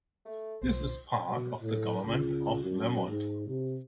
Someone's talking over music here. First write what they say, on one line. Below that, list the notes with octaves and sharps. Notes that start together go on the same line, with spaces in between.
It is part of the Government of Vermont.
A3
B1 F4 C5
B2
A2
C#2
F#2
G#2
C3